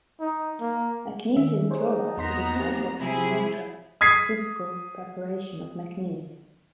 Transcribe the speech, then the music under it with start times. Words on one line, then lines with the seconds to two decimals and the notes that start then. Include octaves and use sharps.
Magnesium chloride is a type of neutraceutical preparation of magnesium.
0.20 D#4
0.60 A#3
1.36 D#3 E5
1.70 D#4 G#4 C5 C#5
2.17 E2 A#3 B3 A#5 C6 B6
2.56 C4 G4
3.01 C3 F3 E4 G#4
4.01 D#6 G#6 B6 C7